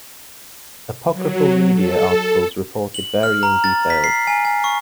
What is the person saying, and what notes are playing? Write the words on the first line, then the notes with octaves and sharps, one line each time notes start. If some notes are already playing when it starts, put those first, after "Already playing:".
Apocryphal media articles reported varying details.
F#3
A4
F#7
F6
A#5
A6
B6
C7
G#5
G#5
C#6